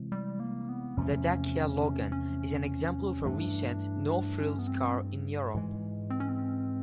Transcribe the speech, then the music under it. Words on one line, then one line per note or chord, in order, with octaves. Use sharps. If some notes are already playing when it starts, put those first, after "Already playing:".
The Dacia Logan is an example of a recent no-frills car in Europe.
Already playing: C3 E3 G#3 C4
G3
A#3
B3
E2 C3 F3 A3 C#4
C#4
G2 E3 A3 D4
C#4
B3
C4
G#2 E3 G#3
C4
C#4
C4